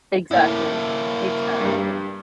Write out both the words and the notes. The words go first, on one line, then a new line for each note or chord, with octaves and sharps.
Exactly. Exactly.
A2 A#3 E4
G2 G3